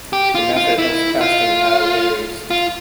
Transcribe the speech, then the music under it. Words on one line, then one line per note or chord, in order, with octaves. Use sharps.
The method of casting out varies.
G4
F4
F4
E4
F4
F4